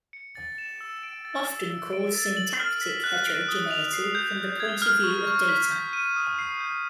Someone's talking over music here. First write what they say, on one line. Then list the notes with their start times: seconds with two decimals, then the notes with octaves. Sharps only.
Often called syntactic heterogeneity from the point of view of data.
0.13 C#7
0.35 A6
0.58 E7
0.81 E6
1.03 D7
1.25 A6
1.48 E6
1.70 E6
1.93 D7
2.14 A6
2.37 F#7
2.60 F6
2.81 B6
3.04 F#6
3.26 D7
3.48 D#6
3.71 F7
3.93 C7
4.15 G6
4.38 G6
4.60 G#6
4.82 F6
5.04 C#6
5.27 C#6
5.49 B6
5.72 G6
5.93 D#7
6.16 D#6
6.39 C7
6.60 G6